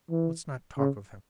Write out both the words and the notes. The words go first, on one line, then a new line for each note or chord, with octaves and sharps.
Let's not talk of him.
E3
C#3